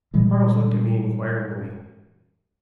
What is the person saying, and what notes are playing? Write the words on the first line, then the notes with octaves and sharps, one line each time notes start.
Quarles looked at me inquiringly.
A#2 E3 G3 G#3